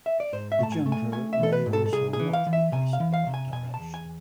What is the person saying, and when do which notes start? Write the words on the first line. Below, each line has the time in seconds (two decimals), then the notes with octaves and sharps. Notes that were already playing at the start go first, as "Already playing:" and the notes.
The jumper may also not be facing the right direction.
0.06 E5
0.20 D5
0.33 G#2 C5
0.52 E5
0.59 A3 A5
0.72 G#5
0.86 A3
0.92 G#5
1.12 A3 G#5
1.33 E5
1.39 E3 A4
1.53 B4
1.66 G#2
1.73 A4
1.86 A4
1.92 C2 G#4
2.13 G#4
2.19 E3
2.33 F5
2.47 E3
2.53 E5
2.72 C3 G#5
2.93 F5
3.00 E3
3.14 F5
3.27 C3
3.34 G#5
3.53 B2 G#5
3.74 A5
3.80 E2
3.94 G#5